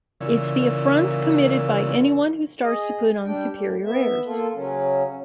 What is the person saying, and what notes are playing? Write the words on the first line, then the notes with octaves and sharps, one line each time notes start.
It's the affront committed by anyone who starts to put on superior airs.
A#2 C#3 E3
G#4 D#5
G3 D4 G5
A2
B3 E5
A#3 F4 A4
C#3 F#3 C#4